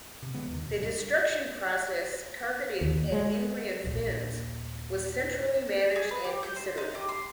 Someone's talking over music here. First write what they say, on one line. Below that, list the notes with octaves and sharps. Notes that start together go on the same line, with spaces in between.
The destruction process targeted at Ingrian Finns was centrally managed and considered.
C3
C#3 E3 G#3 B3
D#2 D#3
D1 E2 B2
C#2 G2 G3
D#2
G#3
A#1 D#2
G#4
B4
G4
G6
C5
D#4
G4
C6